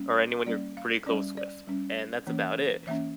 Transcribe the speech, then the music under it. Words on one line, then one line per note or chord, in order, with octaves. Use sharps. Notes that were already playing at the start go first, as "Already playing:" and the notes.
or anyone you're pretty close with, and that's about it,
Already playing: G3 A#3 C#4
G3 A#3 C#4 D5
F5
G3 C#4 D5
D5
G3 C#4
E3 A#3 C#4
E3 A#3 C#4 E5